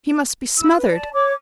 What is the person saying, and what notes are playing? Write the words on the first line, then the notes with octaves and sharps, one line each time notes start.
He must be smothered.
E4 E6
B4
D5 A5
C#5 D6